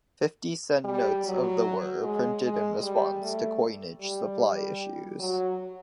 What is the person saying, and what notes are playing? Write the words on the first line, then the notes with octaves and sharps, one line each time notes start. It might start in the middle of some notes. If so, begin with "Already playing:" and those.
Fifty sen notes of the were printed in response to coinage supply issues.
G3
F#3
G#3
G#3
G3
A3
G3
F#3